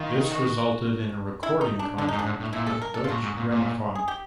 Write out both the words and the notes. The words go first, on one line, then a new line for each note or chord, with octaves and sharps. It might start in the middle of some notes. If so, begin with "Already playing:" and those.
This resulted in a recording contract with Deutsche Grammophon.
Already playing: D#3 F4
F#4
E4
D#4
D4
D3 D4
G#2 D#4
D4
G#2
A2
A#2 E4
A4
A#4
A4
F4
A#2 F#4
G#2
A#2
A#2
G#4
G4